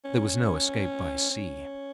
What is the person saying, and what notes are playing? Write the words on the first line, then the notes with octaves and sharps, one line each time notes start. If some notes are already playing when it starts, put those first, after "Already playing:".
There was no escape by sea.
C#4
C#4